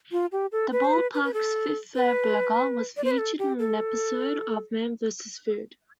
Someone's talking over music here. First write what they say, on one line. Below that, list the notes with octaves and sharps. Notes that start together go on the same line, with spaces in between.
The ballpark's Fifth Third Burger was featured on an episode of Man versus Food.
F4
G4
A4
B4
C5
B4
B4
B4
A4
B4
D5
C5
B4
A4
G4
A4